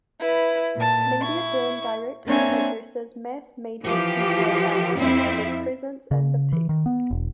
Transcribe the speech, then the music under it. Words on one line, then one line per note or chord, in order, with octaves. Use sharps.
Media Burn directly addresses mass media's control by limiting their presence in the piece.
E4 B4
A#2 A5
E4 C#6
A#3 C4 D4 C#5 E5 G#5
E3 F3 G4
F2 C4 E4 E5
C#3
E3
D#3
B3
E1